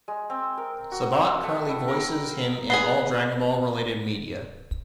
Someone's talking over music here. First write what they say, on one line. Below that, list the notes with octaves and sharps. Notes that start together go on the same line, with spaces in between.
Sabat currently voices him in all "Dragon Ball" related media.
G#3
C4
A#4
F#4
C4
A3
E4
A#4
B3 G#4 C7 G7